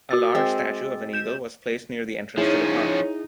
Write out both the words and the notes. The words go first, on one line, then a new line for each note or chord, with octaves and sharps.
A large statue of an eagle was placed near the entrance to the park.
F#4 E6 A6
G#3 C4 E5
G6 E7
F3 C#4 D#4 E4 G#4 C#5